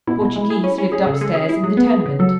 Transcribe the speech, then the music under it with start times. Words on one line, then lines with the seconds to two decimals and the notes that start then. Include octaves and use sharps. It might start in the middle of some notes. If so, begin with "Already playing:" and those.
Portoghese lived upstairs in the tenement.
0.07 B2 E4
0.21 B2
0.36 G#3
0.50 G#4
0.64 C#4
0.78 C#4
0.92 C#4 G#4
1.07 C#3
1.13 A4
1.21 G#3
1.34 C#4 G#4
1.49 E4
1.63 F#3
1.77 B3
1.91 B3
2.06 C#3
2.19 F#3 A4